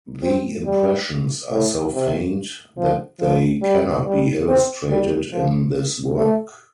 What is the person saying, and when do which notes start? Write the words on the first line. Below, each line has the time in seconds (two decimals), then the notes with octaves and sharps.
The impressions are so faint that they cannot be illustrated in this work.
0.23 C4
0.66 G3
1.51 A2
1.93 C3
2.77 F3
3.20 F3
3.63 G3
4.06 G3
4.48 C4
4.90 G3
5.32 F3
6.17 A3